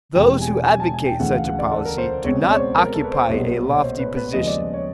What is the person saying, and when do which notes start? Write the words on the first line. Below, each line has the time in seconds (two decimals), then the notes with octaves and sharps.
Those who advocate such a policy do not occupy a lofty position.
0.15 E1 E2 C3 E3 G#3 G5
0.42 G#5
0.67 G#5
0.80 A5
0.94 G#5
1.06 G5
1.20 D2 C#3 E3 F#5
1.33 F5
1.45 F#5
1.59 D5
1.71 A4
1.85 A#4
1.98 C5
2.24 C#2 B2 G#3 C4 C#5
2.42 D5
2.50 C#5
2.59 C5
2.77 A#4
2.94 A4
3.04 B4
3.12 C5
3.29 B1 A#2 G3 B3
3.73 C#5
3.82 C5
3.99 B4
4.17 B4
4.33 D#2 C#3 F3 G#3 D#5
4.47 D5
4.74 C#5